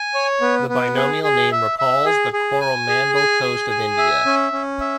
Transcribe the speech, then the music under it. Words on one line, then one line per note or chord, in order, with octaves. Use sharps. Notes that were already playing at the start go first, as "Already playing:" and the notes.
The binomial name recalls the Coromandel Coast of India.
Already playing: G#5
C#5
B3
B3
G#4
G#4
E5
E5
G#4
G#4
G#5
G#4
G#5
G#4
G#5
E5
C#4
C#4
E5